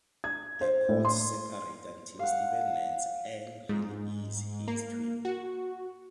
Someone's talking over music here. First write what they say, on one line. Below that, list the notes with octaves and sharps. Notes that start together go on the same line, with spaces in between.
The Cords separate until Steven learns Ann really is his twin.
G#6
C5
A2
C6
F5 F#5
G#2
A#3
F#4